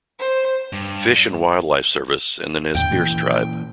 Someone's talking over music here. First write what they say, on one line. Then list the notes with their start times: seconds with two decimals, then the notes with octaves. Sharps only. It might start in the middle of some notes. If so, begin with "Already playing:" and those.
Fish and Wildlife Service and the Nez Perce Tribe.
0.19 C5
0.73 G2
2.75 D#2 A2 D3 G5
2.89 A#2 E3 A#3